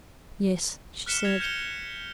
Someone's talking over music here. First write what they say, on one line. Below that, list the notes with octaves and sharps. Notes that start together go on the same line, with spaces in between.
"Yes," she said.
F6 F#6 B6 C#7 E7 G7
G#6 A#6 B6 F7
F6 G6 C#7 D#7 F7 G7